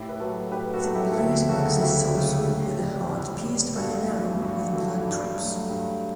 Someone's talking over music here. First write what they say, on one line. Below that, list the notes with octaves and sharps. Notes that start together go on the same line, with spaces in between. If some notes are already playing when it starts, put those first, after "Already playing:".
The blazon exists also with a heart pierced by an arrow, with blood drops.
Already playing: A2 E4 G4
B4
F#3 A3 F#4 A4
A2 G4 B4
F#4 A4
F#3 A3
E4 G4
A4
D2 E4 G4
C#3 F#3 A3 F#4 A4
D2 E4 G4
C#3 F#3 A3
A2
G3
A2
G3
G2 F#4 A4
E3 A3
G2 F#4
E3 A3 F#4
G2
F#3 A3
G2